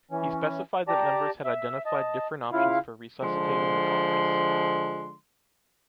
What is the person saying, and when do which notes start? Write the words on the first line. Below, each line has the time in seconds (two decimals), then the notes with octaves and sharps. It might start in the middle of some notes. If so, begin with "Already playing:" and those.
He specified that members had identified different options for resuscitating the Conference.
0.11 E3 C#4
0.88 G4 D5 A5 A#5
1.45 E5
1.86 D#5 A5
2.52 C#3 E4 F4 F5
3.22 D3 F3 G#3 C6